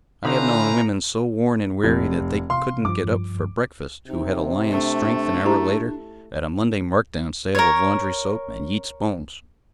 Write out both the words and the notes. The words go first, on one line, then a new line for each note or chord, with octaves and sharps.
I have known women so worn and weary that they couldn't get up for breakfast who had a lion's strength an hour later at a Monday marked-down sale of laundry soap and Yeats's poems.
D3 C#4 D#4 E4 B4 C5 F5 A#5
F1
C3 F5 C6
G2 F3 D6
C3 D#4
A3 D4
E4 G4 A#5
A#4 C#5